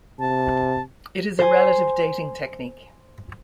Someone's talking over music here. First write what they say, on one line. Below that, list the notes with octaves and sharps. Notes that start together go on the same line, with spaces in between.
It is a relative dating technique.
C3 A5
C5 G#5